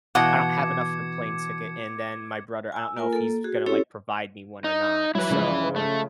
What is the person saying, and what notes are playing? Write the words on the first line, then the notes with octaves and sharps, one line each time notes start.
I don't have enough for a plane ticket, and then my brother I don't know if he's gonna, like, provide me one or not. So
B2 E3 D#5 F5 F#5 D6 G#6 C#7
G#5 E6
A#3 F4 A#4 G#5
A#3 A4
F#4 G#4
C4 C#4 E4 G4 A4 C#5
D#4
F#3 E4 B4
C#3 F3 G#3
A3